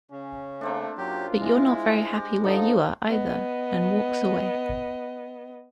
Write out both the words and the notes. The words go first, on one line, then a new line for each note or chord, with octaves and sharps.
But you're not very happy where you are, either, and walks away.
C#3 C#4
A3 A#3 C4 D4
F#2 F#3 F4 G4
G#3 E4
G4
D3 F3 D#4 A4 D#5
B3 D#5